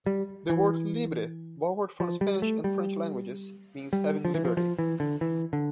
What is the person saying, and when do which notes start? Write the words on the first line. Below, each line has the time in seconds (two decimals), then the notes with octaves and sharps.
The word "libre", borrowed from the Spanish and French languages, means having liberty.
0.06 G3
0.50 E3
2.00 F3
2.21 G3
2.42 A3
2.64 G3
3.93 G3
4.25 F3
4.35 E3
4.45 F3
4.57 F3
4.79 E3
5.00 D3
5.21 E3
5.53 D3